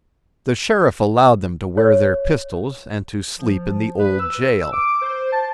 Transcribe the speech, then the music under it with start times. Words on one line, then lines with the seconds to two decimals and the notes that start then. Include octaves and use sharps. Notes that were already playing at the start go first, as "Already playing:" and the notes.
The Sheriff allowed them to wear their pistols and to sleep in the old jail.
1.77 C#5
3.39 F3
3.99 B4
4.20 E6
4.72 D6
5.02 C5
5.32 A5